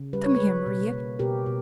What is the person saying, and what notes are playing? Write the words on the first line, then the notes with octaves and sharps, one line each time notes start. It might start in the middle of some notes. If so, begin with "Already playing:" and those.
Come here, Maria!
Already playing: C#3
G3 B4
C#5
G3 G#4 B4
B2
A#3
B2 G4 A#4
B2